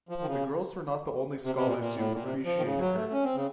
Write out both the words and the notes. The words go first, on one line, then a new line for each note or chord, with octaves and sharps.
The girls were not the only scholars who “appreciated” her.
F3
D#3
C#3
C3
C3
A#2
A#2
A2
A#2
C3
F3
D#3
C#3
F#3
A3
C#4
C4
C#3